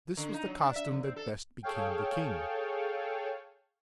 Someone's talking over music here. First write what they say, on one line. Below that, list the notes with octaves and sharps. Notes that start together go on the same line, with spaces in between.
This was the costume that best became the king.
D3
D#4
F#3
D4
E5
F2
C4
A4
G#4 A4 C#5 F5 G5